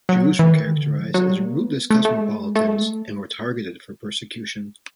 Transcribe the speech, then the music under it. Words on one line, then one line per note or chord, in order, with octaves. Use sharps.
Jews were characterized as rootless cosmopolitans and were targeted for persecution.
F#3
E3
D#3
D3
F3
F#3
G3
A#3
B3
A3
A3
G#3
A3
G#3
A3
G#3
A3